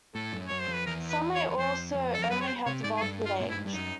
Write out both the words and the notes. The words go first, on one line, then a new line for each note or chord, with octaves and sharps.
Some may also only have developed with age.
A2 A4
F#2
F#2 C#5
C5
F2
B4
E2 A#4
B4
C#5
E2
F2 C5
F2
A4
F2 A#4
F#2 B4
C#5
C5
C3 C#5
G#2 D5
G#4
G2 A4
F4
A#2
A2 E4
G#2
G2
F#2 D#4